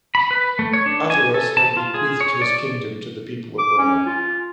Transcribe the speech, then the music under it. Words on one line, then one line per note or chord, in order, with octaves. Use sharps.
Attalus had bequeathed his kingdom to the people of Rome.
B5
B4
A3
C#5
D4
G#5
A4
A5
F4
G#4
C#5
D5
D6
C#4
F4